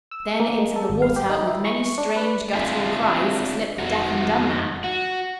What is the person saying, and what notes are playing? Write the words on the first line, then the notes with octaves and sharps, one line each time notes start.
Then, into the water, with many strange, guttural cries, slipped the deaf and dumb man.
E6
A#3
G#3
A4
G#1
F5
G4
D#4
E4
C#6
D4
B4
C4 D4 F4 E5 F5
F2 D#4 F#4
F#4